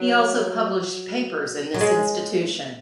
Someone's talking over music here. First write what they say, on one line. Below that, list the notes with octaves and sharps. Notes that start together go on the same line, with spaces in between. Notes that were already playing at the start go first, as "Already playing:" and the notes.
He also published papers in this institution.
Already playing: F#3
F#3
G#3